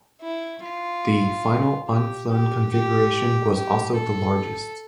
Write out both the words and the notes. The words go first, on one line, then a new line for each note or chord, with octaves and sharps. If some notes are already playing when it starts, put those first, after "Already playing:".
The final unflown configuration was also the largest.
E4
F4
G4
G4
G4
G4
A4